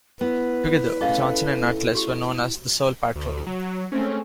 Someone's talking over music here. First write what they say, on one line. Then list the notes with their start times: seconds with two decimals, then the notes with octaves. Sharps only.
Together, Johnson and Atlas were known as "The Soul Patrol".
0.21 B3 E4 B4
1.01 A3 C#4 G#4 A4 D#5 F5
1.95 F#4 G4
3.15 D2
3.47 F#3
3.92 G#3 A3 C4 C#4